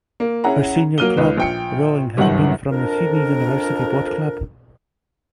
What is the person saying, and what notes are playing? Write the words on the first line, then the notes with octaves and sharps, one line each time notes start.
Her senior club rowing has been from the Sydney University Boat Club.
A#3
C#4 E4 G#4 F#5 A#5
F#3 A#3 F6 D#7 G7
C#2 D#4 B4
A#1 G5 C#7
G1 C2 F#2 D#3 F#5 F#7
F2 D4 A#4